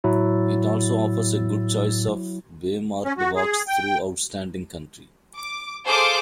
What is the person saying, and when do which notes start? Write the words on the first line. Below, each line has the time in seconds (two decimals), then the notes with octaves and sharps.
It also offers a good choice of waymarked walks through outstanding country.
0.04 A2 F#3 E4
3.05 C#4
3.18 F#4
3.36 G#4
3.68 G5
5.36 D6
5.86 G#4 A4 C5 F5 D6